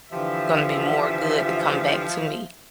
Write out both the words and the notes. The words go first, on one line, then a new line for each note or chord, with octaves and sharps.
gonna be more good that come back to me.
D3 E3 F3 G4 E5